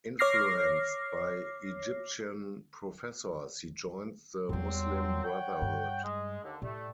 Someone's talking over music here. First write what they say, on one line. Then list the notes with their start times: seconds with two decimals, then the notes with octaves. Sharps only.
Influenced by Egyptian professors, he joined the Muslim Brotherhood.
0.19 C#5 D6 F6 A#6 C7
4.49 E2 A#2 F#3 G3 C4
5.24 C#5 F#5 G5
5.62 G2
6.03 G#3
6.43 D#2 D3
6.62 A2 G3 A3